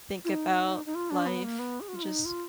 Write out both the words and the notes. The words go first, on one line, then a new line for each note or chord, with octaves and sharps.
think about life and just
F4
D#4
D#4
F4
D4
B3
A#3
B3
G#4
F#4
F4
D#4
F4